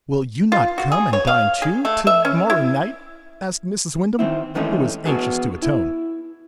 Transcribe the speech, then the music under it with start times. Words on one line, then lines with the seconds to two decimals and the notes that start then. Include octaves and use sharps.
"Will you not come and dine too, to-morrow night?" asked Mrs. Wyndham, who was anxious to atone.
0.52 F4
0.78 F#4
0.92 G#4
1.13 C#5
1.27 F5
1.62 G#4
1.85 A3
2.07 E5
2.25 C#4
2.50 E4
4.19 D#3 C4 E4
4.55 D#3 E3 G#3 A3 C#4 D#4
5.05 B3 D4 F#4 G#4 B4
5.62 E4